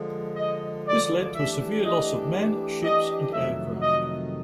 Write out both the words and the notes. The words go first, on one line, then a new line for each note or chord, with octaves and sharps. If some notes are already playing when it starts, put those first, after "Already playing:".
This led to a severe loss of men, ships, and aircraft.
Already playing: D3 F3 G#3
D#5
D5
E3 A3 D4 G4 E5
D#5
D#5
F2 C3 D#3 F#3 A3 E5
D#5